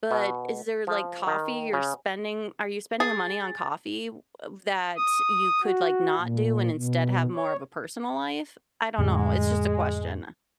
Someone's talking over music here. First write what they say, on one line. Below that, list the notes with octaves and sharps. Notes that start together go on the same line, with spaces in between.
but is there, like, coffee you're spending are you spending a money on coffee of that you could, like, not do and instead have more of a personal life? I don't know, it's just a question,
B2
F3
D#3
C#3
G#4 A6
D#6
F#4
A#2
B2
C#5
F2 A2 D3 G#3